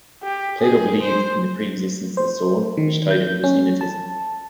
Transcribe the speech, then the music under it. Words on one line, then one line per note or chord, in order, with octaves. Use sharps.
Plato believed in the pre-existence of the soul, which tied in with his innatism.
G4
G#4
C5
C5
D#3
G6
C#4
A5